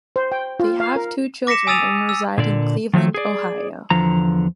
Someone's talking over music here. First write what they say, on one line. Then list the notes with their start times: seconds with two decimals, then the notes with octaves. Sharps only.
They have two children and reside in Cleveland, Ohio.
0.16 C5
0.32 G5
0.60 F4
0.80 F5
0.96 A#4
1.47 D6 A#6 B6 C#7 E7
1.67 G#5 D#6 E6 A6 D#7 F7
2.09 E6
2.38 A#2 D3 D5
2.94 D#3 F3 F#3 A3
3.14 G#4 D5
3.90 E2 D3 F3 A#5